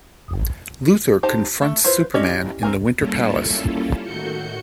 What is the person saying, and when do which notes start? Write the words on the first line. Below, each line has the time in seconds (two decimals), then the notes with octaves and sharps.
Luthor confronts Superman in the Winter Palace.
1.23 D#4 G4 C5 A5
1.62 A3
1.84 E4 F4 B4 C5
2.14 C#4 E4 G4 D5 D#5
2.63 C4 E4 A#4 G#5
2.96 G3 A#3 C#4 E4 F4 A4
4.03 A2 D#3 F#4 G6 C#7